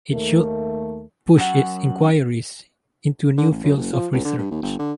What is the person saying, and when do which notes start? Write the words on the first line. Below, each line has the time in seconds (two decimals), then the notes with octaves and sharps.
It should push its inquiries into new fields of research.
0.12 D#2 A3 A#4
1.38 F#2 F#5
3.38 D3
3.51 A1
3.64 F#2
3.77 F#1
3.93 F3
4.13 C#2
4.24 D3
4.38 G2
4.51 D#2
4.63 G1
4.79 D3